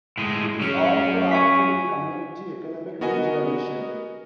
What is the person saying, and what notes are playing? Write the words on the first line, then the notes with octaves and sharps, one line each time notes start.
It is also active in community economic regeneration.
A2 G#3
F#3 C#4
G#5 C#6 B6
B3 F#4 A#4 D#5 G#5